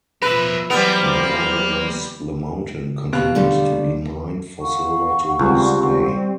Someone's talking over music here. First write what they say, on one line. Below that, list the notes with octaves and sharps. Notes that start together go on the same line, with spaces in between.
Nevertheless, the mountain continues to be mined for silver to this day.
B2 F3 A#4 B4 E5
E3 F#3 G3 A#3 B3 A#4 C5
B2 A#3 G4 F5 F#6
D3 G3 A3
F5 F#5 C#6
C#2 G3 C4